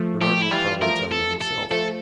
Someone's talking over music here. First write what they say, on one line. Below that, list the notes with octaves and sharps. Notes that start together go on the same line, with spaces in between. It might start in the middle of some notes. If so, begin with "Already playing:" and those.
Bernard will probably tell you himself.
Already playing: F3 A3
F3 A3 G4
E4
E3 G3 F4
F3 A3 A#4
A4
A4
F3 A3 A4